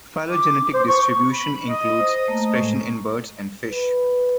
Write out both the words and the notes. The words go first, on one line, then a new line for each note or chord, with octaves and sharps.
Phylogenetic distribution includes expression in birds and fish.
D6
C5
C#6
B5
D#5
C5
A3 A#3 A#5
A2 G#3
B4